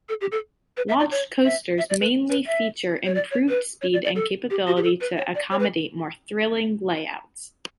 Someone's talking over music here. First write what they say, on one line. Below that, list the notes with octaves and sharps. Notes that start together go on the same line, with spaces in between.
Launched coasters mainly feature improved speed, and capability to accommodate more "thrilling" layouts.
A4
G4
A4
B4
E5
D5
C#5
E5
E5
D5
B4
B4
E5
C#5
D5
C#5
B4
C#5
D5
D5
A4
G4
F#4
G4
A4
B4
C#5
D5
C#5
B4